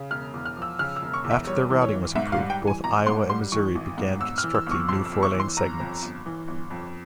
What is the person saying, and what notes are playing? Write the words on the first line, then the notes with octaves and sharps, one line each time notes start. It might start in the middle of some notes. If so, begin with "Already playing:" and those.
After the routing was approved, both Iowa and Missouri began constructing new four-lane segments.
Already playing: C#3
E1 F6
E2
F6
F3
E6
C#3 F6
E6
E1
C#6
E2
E5
G3 C#5
E3
C#5
G#1
G#2 E5
F5
G3
G5
E3
G#5
G#1 A#5
G#2 C6
G3 C6
E3 C#6
G#1
G#2
G1 E6
F6
E3
E6
G1 C#6
F2 C6
E6
G1
C#6
E3
C6
G1 A#5
F2
G1
E3
G1
F2